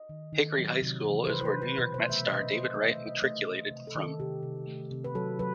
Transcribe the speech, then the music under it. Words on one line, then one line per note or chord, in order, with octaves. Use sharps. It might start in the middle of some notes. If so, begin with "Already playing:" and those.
Hickory High School is where New York Mets star David Wright matriculated from.
Already playing: D#5
D#3
D#3
F#3
C3
E3
C5
C3 B4
C5
B4
C3
B4
B2 B4
C5
A3
E5
B2 D#5
B4
B2 C5
A3 D#5
E5
A3
D#5
A3 D#5
A3
C3
A4
D#3
A4
C3 G4
C3
A3
C3
B4
F#3 A4
F#3 B4